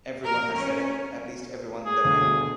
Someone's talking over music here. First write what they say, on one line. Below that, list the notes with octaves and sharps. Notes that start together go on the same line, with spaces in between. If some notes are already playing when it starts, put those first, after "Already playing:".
Every one has said it; at least every one that I know.
A#4
C#4
G#4
D2 B2